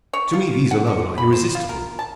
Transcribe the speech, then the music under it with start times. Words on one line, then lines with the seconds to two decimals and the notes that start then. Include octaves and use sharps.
To me these alone are irresistible.
0.13 C#5
0.33 F4
0.71 F#5
0.87 D3
1.18 B5
1.33 C5
1.55 F4
1.69 A#4
1.99 A5